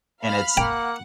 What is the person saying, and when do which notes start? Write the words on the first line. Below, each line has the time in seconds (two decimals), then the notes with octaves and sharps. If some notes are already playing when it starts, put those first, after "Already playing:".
And it's
0.22 F5 B5 F6
0.57 A#3 F#5 G5